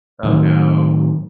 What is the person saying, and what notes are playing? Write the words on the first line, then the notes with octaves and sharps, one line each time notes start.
Oh, no.
A2 D#3 F#3